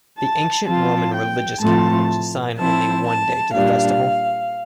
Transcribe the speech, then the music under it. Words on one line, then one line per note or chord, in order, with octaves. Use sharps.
The ancient Roman religious calendars assign only one day to the festival.
A5
F3 C4 F4 A5
G5
A2 F3 A3 C4 F4 A5
F3 C4 E4 A5
A5
A#2 G3 D4 F5